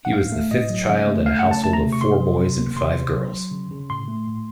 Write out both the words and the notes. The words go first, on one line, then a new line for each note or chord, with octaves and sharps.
He was the fifth child in a household of four boys and five girls.
F#5
A2 F5
A3
A2 D#5
F#3
C#3
A3
A3 F5
F#5
C#3
A5
A3 A5
A#5
C3
C#6
C3 C6
F#3
C3
A#3
C3 C6
C3
F#3
F#3
C#3
C#3
A2 C6
A3
A2